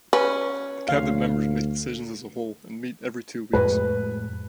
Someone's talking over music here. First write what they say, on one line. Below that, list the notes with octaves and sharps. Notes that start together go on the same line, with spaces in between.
The cabinet members make decisions as a whole and meet every two weeks.
C#4 B4
D2 F5
F2 A2 G#3 B4